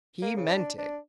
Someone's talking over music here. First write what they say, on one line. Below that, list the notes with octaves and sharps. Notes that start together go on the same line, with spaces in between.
He meant it.
A#3
C#3
D4
D4